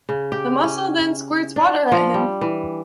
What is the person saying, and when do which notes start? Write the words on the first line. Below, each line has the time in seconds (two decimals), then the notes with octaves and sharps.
The mussel then squirts water at him.
0.09 C#3
0.32 G4
0.64 C#4
1.56 D4
1.92 F3
2.14 G3
2.41 E3